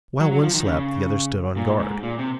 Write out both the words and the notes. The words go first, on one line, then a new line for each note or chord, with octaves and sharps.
While one slept, the other stood on guard.
F#3
F#3
F3
D#3
C#3
A#2
G#2
A#2
C3